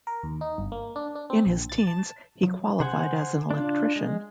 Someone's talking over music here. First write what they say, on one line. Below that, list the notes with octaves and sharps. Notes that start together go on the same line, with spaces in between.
In his teens, he qualified as an electrician.
A#4
D#2
D#4
G1
A#3
D4
D4
C4
A#1
A6
A5
F#3
C#3 C5 F#5 G#5
D4 F4
G#3